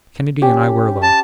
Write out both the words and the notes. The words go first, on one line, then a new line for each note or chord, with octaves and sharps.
Kennedy and I were alone.
C#4 G4
A5